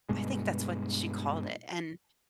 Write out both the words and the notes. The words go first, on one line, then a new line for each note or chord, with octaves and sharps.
I think that's what she called it, and
G2 B2 G#3